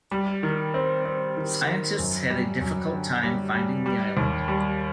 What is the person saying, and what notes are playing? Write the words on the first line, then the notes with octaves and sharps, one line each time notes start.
Scientists had a difficult time finding the island.
G3
D#3
C4
C4
D#3
D#3
F#2
G3
F#2
D3
G3
G3
G3
D#2
G3